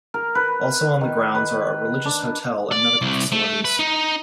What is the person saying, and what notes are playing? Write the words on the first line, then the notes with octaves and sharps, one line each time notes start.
Also on the grounds are a religious hotel and medical facilities.
A#4
B4
D#3
B4
D4
D5
C2
A3
B4
D#4